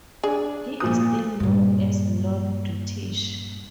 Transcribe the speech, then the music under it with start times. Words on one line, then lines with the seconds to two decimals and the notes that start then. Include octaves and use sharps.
He is still known as Lord British.
0.24 D4 G#4
0.80 A#2 F3 D#6
1.40 G2 A#2